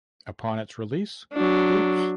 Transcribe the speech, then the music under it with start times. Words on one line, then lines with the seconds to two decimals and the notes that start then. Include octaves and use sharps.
Upon its release, Oops!...
1.33 F#3 D4